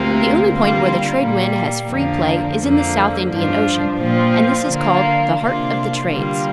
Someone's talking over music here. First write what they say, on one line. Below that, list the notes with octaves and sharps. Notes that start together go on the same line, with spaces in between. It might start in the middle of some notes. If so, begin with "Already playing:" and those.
The only point where the trade wind has free play is in the South Indian Ocean, and this is called the "heart of the trades."
Already playing: D2 C3 A#3 F4
D3 G3 A#3 F4
A#2 G3 A#3
F2 D3 F3 A#3 D4
F2 D3 F3 A#3
G2 F3 D4 F4
A#2 F3 C4 F4
D3 A#3 F4
C3 A#3 D4 F4
D3 G3 A#3 F4